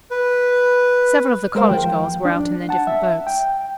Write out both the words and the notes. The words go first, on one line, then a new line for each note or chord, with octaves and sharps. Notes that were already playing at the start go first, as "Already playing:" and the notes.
Several of the college girls were out in their different boats.
B4
G#3 A#4 C5 F5
D#2 F3 G5
D4
F#5 A5
E5
G5